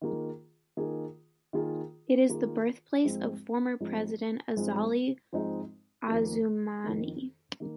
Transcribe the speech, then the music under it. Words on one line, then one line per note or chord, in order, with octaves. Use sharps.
It is the birthplace of former President Azali Assoumani.
D#3 A#3 F4 G#4
D#3 A#3 F4 G#4
D#3 A#3 F4 G#4
D#3 A#3 F4 G#4
G#2 F3 G#3 C4 D#4
G#2 F3 G#3 C4 D#4
G#2 F3 G#3 C4 D#4
G#2 F3 G#3 C4 D#4
F2 D#3 A#3
F2 D#3 A#3
D#3 A#3